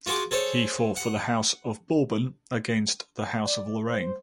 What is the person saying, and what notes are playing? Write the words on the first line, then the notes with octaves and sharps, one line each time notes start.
He fought for the House of Bourbon against the House of Lorraine.
F4 F#4 G#4 C6 D6
G#4 A4 C5 C#5
F#5
D5
C5